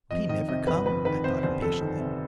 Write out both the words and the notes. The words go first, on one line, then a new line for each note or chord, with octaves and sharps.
Would he never come? I thought impatiently.
F2 D#5
D#3 D#5
C3 D#5
G1 B4
F2 B4
D#3 B4
C3 C5
G1 C5
F2 A4
D#3
C3